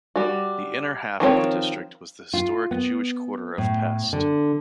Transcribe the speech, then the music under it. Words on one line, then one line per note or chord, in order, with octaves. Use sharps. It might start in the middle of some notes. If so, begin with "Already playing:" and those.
The inner half of the district was the historic Jewish quarter of Pest.
G3 F#4
D#3 F3 C4 C#5
F4
B3
A2
D3